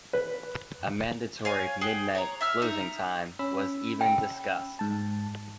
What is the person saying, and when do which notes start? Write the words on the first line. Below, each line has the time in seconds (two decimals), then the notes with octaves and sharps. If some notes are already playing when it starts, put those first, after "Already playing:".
A mandatory midnight closing time was even discussed.
0.13 B4
1.45 C#5 F5 G#5
1.81 G#4 F#5 G5
2.15 C#5 A#5
2.41 E5 E6 F6
2.62 D#4 E5 A#5
3.39 C#4 B5 E6
4.01 G5
4.79 G#2 A5